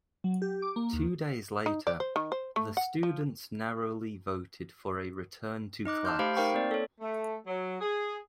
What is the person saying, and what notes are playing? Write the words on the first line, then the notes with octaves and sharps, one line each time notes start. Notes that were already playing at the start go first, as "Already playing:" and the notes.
Two days later, the students narrowly voted for a return to class.
F#3
G4
D6
A#3
D#2
D#4
D5
C5
D#3
C5
A3
F#5
F3
D#4 D#5 D6 F#6
A5 C6 F6 G6
A3 G4 C5 F5 B5 D7
D#4 A#4 C5 F5 G5 C#6
A#3 C4 D5
A4 C#5
A3
F#3
G#4